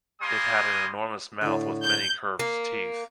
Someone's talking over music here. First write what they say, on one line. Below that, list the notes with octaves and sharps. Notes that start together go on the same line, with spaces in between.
It had an enormous mouth with many curved teeth.
G3 A#3 G#5 C6 D#6
A2 D3
G6
A#3